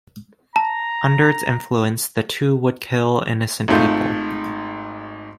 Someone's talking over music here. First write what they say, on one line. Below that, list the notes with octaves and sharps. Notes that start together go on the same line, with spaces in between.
Under its influence, the two would kill innocent people.
A5 A#5
G#1 G#2 A3 F4 G6